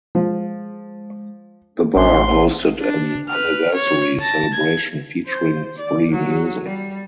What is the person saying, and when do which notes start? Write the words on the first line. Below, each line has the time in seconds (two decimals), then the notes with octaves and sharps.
The bar hosted an anniversary celebration featuring free music.
0.15 F3 G#3
1.96 A1 D4 C5 C6
2.81 D4
3.29 B4 F6
3.74 C#5
4.21 A5 A#6
4.53 G#6
5.25 C5
5.77 D5
6.11 F#3
6.64 G3